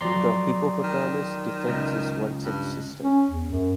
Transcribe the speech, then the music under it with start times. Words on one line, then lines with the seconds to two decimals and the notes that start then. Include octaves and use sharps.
The Hippopotamus Defence is one such system.
0.01 F2 F#3 D5 A#5 C6
0.83 D#3
1.69 C#2
2.44 G2
3.03 C#4
3.28 E2
3.51 F#2